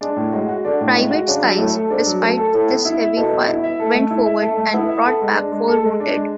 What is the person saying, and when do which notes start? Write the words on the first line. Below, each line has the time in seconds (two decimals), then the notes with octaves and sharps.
Private Sykes, despite this heavy fire, went forward and brought back four wounded.
0.01 G#3 D4
0.16 A2
0.32 F#3 G#3
0.49 F#4
0.65 D3 D4
0.81 A2
0.95 C#3 G#3
1.11 F#4
1.27 C#3 D4
1.43 F#3
1.58 A2 A3
1.74 A4
1.90 G#2 D4
2.06 F#3
2.22 F#2 A3
2.37 A4
2.54 A2 A4
2.68 B3
2.85 E4
3.00 E5
3.16 B2 A4
3.32 B3
3.48 E4
3.64 E5
3.80 A4
3.95 A3
4.11 E4
4.26 E5
4.42 A3 A4
4.57 A3
4.73 B3 E4
4.89 E5
5.05 A4
5.21 G#3
5.36 D4
5.52 G#3
5.68 A4
5.84 G#3
6.00 D4
6.15 G#3